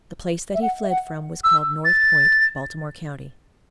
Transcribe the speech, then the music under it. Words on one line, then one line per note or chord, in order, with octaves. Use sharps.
The place that he fled from was called North Point, Baltimore county.
E5
F#5
E5
F#5
E6
A6